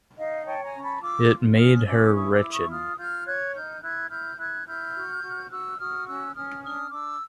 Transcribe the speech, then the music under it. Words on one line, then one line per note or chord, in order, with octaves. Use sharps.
It made her wretched.
D#4 D#5 F5
C#5 G5 A5
G#5 A#5
C#4
A5 B5
F4 D6 E6
F4
C#4 D#6 F6
C#4 D6 E6
E4 C#6 D#6
D6 E6
E4
C#6 D#6
F4 D#6 F6
F4 F6 G6
C#5 F#6 G#6
D#4 F6 G6
E4 F#6 G#6
E4 F6 G6
E4 F#6 G#6
E4 F6 G6
F#4
F#4
F#4 E6 F#6
F#4 D#6 F6
C#4 E6 F#6
C#4 D#6 F6
D4 D#6 F6
D4 D6 E6